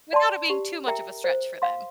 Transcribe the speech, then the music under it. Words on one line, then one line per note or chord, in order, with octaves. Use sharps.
without it being too much of a stretch for them.
D5 A5 C6
G4
A#4 E5 G5 A#5
C5
F5 C6